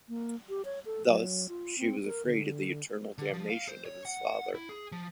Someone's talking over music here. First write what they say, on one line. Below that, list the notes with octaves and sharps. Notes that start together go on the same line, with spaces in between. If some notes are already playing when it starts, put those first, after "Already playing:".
Thus, she was afraid of the eternal damnation of his father.
A#3
G4
C#5
A4
F#3
F4
C4
A#4
D3
D3
F3
F5
C5
C#5
F#5
E4
G#4
F3